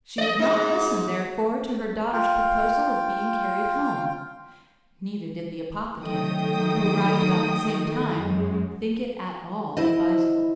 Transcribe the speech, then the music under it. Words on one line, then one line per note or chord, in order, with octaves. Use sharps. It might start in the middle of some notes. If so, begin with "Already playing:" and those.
She would not listen, therefore, to her daughter's proposal of being carried home; neither did the apothecary, who arrived about the same time, think it at all advisable.
D5 D#5
G#2 D#4
F4 F5 G5
D#3 F#3 A3 G5 D#6
F#2 G#3
E4 C5 D#5